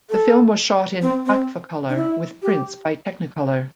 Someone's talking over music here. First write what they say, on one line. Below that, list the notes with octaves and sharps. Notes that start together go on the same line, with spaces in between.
The film was shot in Agfacolor with prints by Technicolor.
A4
C4
C4
D4
E4
G4